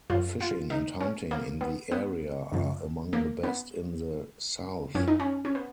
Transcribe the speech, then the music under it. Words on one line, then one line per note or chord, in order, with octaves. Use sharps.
Fishing and hunting in the area are among the best in the south.
F#2 F3 F4
F4
D#4
C#4
A#3
B3
B3
F#2 C#3 F3
A#3
B3
F#2 F3 C#4
D#4
C#4
C#4
B3